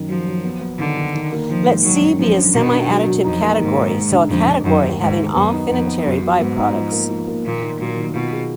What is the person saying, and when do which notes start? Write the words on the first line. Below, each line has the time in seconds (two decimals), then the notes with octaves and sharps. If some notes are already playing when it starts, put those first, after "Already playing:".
Let C be a semiadditive category, so a category having all finitary biproducts.
Already playing: F#2 D#3
0.08 F3 F#3
0.27 F#3
0.44 B3
0.61 B3
0.78 D3 D#3
0.97 D#3
1.14 D#3
1.32 A#3
1.49 D#3 F3
1.66 G#2
1.83 D#3 F#3
2.01 F#2
2.19 F#2 F3
2.36 D4
2.53 B2 D#3
2.72 D4
2.89 F#3
3.06 F#3
3.24 F2 D#4
3.42 A#3
3.59 G#2 D#3
3.76 D#4
3.94 G#3
4.11 D3
4.29 F2 D3
4.47 D3
4.64 F#2 D#3
4.81 D#2
5.00 G#2 D#3
5.17 D#3
5.34 F#2 B3
5.52 D#4
5.69 F2 B3
5.87 B3
6.04 F#2 F#3
6.22 F#3
6.40 G#2 B3
6.57 D#4
6.75 F3
6.92 A#3
7.09 F3
7.27 A#3
7.45 A#2 D#3
7.62 D#3
7.79 A#2 F#3
7.97 D#3
8.14 B2 F4
8.32 G#4